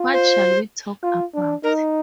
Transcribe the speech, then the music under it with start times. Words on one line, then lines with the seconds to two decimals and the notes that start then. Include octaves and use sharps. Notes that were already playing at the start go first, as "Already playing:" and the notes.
What shall we talk about?
Already playing: F4
0.13 C5
1.04 F4
1.34 D4
1.63 D#4 A#4